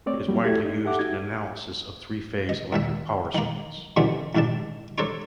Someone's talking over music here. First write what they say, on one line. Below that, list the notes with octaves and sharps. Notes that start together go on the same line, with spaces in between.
It is widely used in analysis of three-phase electric power circuits.
A3 C4 C#5 D5
F#3 G3 A#3 F#4
A3 E4 F#4 G4 A4 G#6
D#4
G4 A4 E5 F#5 D6
D#4 F#4 G#6
D#5
D#2 A#2 E5
D#3 A#3
F#2 B2 D3 E3 G3 C4
A1 G#2 D#3 D4 A5
D4 A4 A#4 C5 C#5 C#6